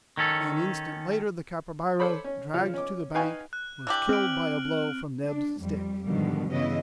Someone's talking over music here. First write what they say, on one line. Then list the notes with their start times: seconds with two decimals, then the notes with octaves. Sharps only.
An instant later the capybara, dragged to the bank, was killed by a blow from Neb's stick.
0.17 D#3 C#4 A4
1.99 A4 C5 C#5 B5 D6
2.24 C#4
2.53 C#3 F3 C#5 F6
2.74 C#4 D6
3.15 D#4 B4 F5 G5 G#5 C#6
3.53 F#6
3.87 E3 D4 G4 F#6 F#7
4.09 C4 F6 D7
5.24 D4
5.57 F2 G3
6.04 G#2 B2 D3 D#3 F3 G3
6.49 G2 C#3 E3 B3 E4 D#5